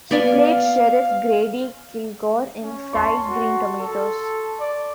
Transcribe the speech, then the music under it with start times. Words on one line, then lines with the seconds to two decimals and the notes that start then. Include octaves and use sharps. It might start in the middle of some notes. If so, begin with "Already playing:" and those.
He played Sheriff Grady Kilgore in "Fried Green Tomatoes".
0.11 B3 D5 F5 G#5
2.63 C#4
2.93 A5 C6 C#6
3.29 F#4
3.79 A4
4.60 D5